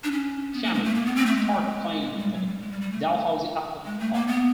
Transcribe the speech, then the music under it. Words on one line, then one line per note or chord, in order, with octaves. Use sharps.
Shami started playing for the Dalhousie Athletic Club.
D4
C#4
B3
A#3
G#3
A3
A#3
B3
C4
A3
G#3
G3
F#3
G3
G#3
G3
G3
A3
G#3
A3
A#3
B3